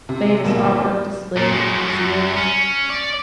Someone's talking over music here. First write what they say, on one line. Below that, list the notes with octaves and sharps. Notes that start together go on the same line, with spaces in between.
famous artwork displayed in the museums.
C3
G#1 B2 A#3 E7
A#2
A2 G#3
F#2
C#4
D5